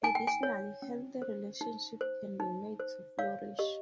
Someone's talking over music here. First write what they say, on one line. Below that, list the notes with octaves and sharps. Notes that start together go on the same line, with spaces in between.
Additionally, healthy relationships can be made to flourish.
D#4 G#5
G5
G#5
C#5
C#4
C5
D#4
C5
D#4
C5
C#5 F5
G4 D#5